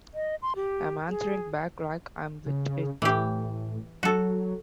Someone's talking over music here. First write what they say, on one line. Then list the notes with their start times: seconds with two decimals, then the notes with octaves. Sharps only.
I'm answering back, like, 'I'm wit it'.
0.14 D#5
0.42 C6
0.56 G4
1.08 G#4
2.46 C#3
3.02 A2 E3 G4
4.03 F#3 F#4 A4